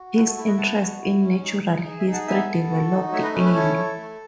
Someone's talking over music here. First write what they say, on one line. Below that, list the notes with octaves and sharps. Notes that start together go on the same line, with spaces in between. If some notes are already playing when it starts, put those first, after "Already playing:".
His interest in natural history developed early.
Already playing: F#4
A3 B4
A4
E4 A4
B4 D#5
B3 F#5 A5
F#4
E4
C#4
D#4
D#4
G#4
E5 G#5
D#4
F#5 A5
B3 E5 G#5
A4
F#4
D#4
A3 C#5 E5
B4 D#5
C#4 B4
B4
E4 A4 C#5
A4
A3